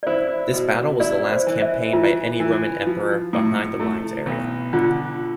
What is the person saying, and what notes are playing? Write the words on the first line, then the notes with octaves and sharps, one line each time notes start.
This battle was the last campaign by any Roman Emperor behind the Limes area.
D5
E4 C5
B2
E4 D5
C5
E3
E5
E3 F4
E3
F3
A2
A3 E4
B1
D3 F4